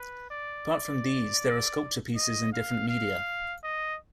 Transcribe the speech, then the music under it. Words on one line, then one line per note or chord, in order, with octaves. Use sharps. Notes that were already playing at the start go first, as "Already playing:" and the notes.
Apart from these there are sculpture pieces in different media.
Already playing: B4
D5
D#5
F5
F5
D#5